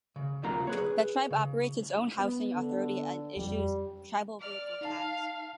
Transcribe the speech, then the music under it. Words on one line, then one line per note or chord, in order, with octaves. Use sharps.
The tribe operates its own housing authority and issues tribal vehicle tags.
C#3
D2 C3 F#3 A#3 F4 A#5
G#4 B4 C#5
C#3
B3
D3
F2 G3
D5 F6
D#4 F5 A5